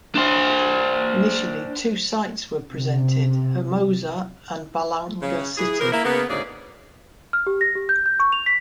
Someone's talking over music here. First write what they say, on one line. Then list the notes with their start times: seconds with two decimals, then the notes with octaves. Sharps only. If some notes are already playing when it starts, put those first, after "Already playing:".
Initially, two sites were presented: Hermosa and Balanga City.
0.15 D4 C5
2.73 C3
5.21 C#3
5.57 E3 G#4
5.80 E3 F3 A#4
5.92 A#3 E4
6.05 C#3 A#3 B3
6.29 D2 G#2 C#3 G#4 D5
7.33 F6
7.47 G4
7.61 A#6
7.75 G4
7.89 G6
8.06 G6
8.20 C#6
8.32 F7
8.46 B6